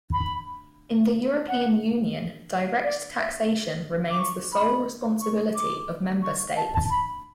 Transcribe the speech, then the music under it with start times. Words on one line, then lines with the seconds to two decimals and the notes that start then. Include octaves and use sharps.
In the European Union direct taxation remains the sole responsibility of member states.
0.13 B5
1.48 F#5
2.84 D5
3.18 E5
4.10 D6
4.19 C#6
4.53 B5
5.21 C#6
5.55 D6
6.22 C#6
6.57 A5
6.74 A5
6.90 B5